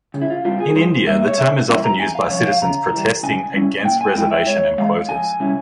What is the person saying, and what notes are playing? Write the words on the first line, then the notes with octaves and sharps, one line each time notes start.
In India, the term is often used by citizens protesting against reservation and quotas.
C#3
E4
F4
G3 C4 F4
G#4
G2 C5
G3 A#3 E5
C#5
C3 E5
E3 G3 C4 E4
A#5
E2 G#5
F5
C3 F3 C#5
F5
C#3 A#5
E3 G3
C#3 G#5
G3 C#4 E4
A#2 G5
G#5
G#3 C4 E4 G5
E5
G#2 C#5
E3 G#3 F5
F2 G#5
C3 G3 C#4 E4